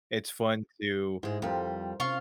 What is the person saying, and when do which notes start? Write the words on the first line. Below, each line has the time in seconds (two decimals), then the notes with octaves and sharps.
it's fun to,
1.23 G#2 G#3 E4
1.42 F2 G3 A#4 C5
2.00 C3 C4 C#4 F4 F5 C#6